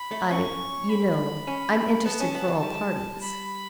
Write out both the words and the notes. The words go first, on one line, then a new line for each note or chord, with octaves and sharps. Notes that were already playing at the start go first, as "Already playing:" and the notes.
I--you know--I'm interested for all parties.'
Already playing: B5
A3
C#4 C#6
B5
C#4
B3 A5
C#4
B3
E3
G3
B5